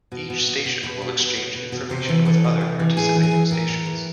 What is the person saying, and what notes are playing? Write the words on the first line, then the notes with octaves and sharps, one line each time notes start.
Each station will exchange information with other participating stations.
B2
B2
B2
B2
B2 B4
B2
B2
B2
B2
B2
C3 C5
E3 B4
E3 A4
C3
C3
E3
A2 G#4
E3
G#4
E3
A2 A#4
A2
E3